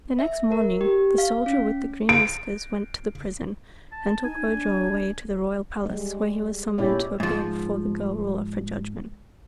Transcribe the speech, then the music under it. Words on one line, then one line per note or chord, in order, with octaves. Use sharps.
The next morning the Soldier with the Green Whiskers went to the prison and took Ojo away to the royal palace, where he was summoned to appear before the girl Ruler for judgment.
E5
A#4
G4
F5
C#4
D7
A5
D#4 G#5
D4
G3 G#3
A#2 C#4 E4 G4 D5
G#2 F3